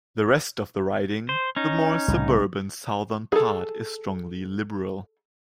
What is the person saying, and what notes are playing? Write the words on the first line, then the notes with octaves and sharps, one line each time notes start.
The rest of the riding, the more suburban southern part is strongly Liberal.
C5
C#4 D#4
C2 A2 C#3
G#4 A4